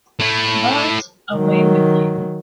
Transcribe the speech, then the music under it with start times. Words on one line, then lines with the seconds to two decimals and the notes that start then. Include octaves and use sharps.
But, away with you!
0.20 A3 E4
1.34 D#3 F#3